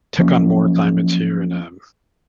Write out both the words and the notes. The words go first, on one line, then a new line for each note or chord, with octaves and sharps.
took on more assignments here and, um,
F3 F#3 A#3 C#4